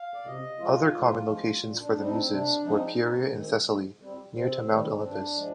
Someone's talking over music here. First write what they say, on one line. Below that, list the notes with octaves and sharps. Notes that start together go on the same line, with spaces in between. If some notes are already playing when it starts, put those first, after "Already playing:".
Other common locations for the Muses were Pieria in Thessaly, near to Mount Olympus.
Already playing: F5
D5
C3 D#5
F3 G#3 F4
G#2
F3 G#3
A#2
D4
G3 C4 D#4
D4
C4
C3 D4
F3 G#3 C4 D#4
C3
D#3 G#3 C4
G#2
G3 C4
C3 C4
D#3 G3 C4
C4
G2 D4
F3 G#3